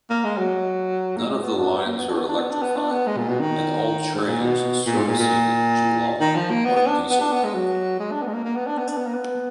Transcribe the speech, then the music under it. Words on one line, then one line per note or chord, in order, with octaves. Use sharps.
None of the lines are electrified and all trains servicing Geelong are diesel powered.
A#3
G#3
F#3
A#3
G#3
B3
D4
B3
A#3
B3
D4
B3
D4
B3
D4
B3
D4
B3
G#3
A#2
B2
D#3
G#2
A#2
B2
A#2
G#2
A#2
A#2
D#3
F3
A#3
B3
B3
D4
B3
D4
B3
G#3
F#3
G#3
D4
B3
G#3
A#3
A#3
B3
D4
B3
D4
B3
A#3
B3